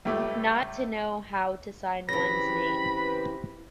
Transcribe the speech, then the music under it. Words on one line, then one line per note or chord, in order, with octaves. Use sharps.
Not to know how to sign one's name.
C#2 G3 A3 D6
C#3 E3 C4 G4 B4 B5 A#6